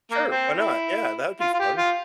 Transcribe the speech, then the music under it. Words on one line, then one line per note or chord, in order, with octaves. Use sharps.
Sure, why not, yeah that would be fun.
A#3
C4
E4
F4
F4
G4
F4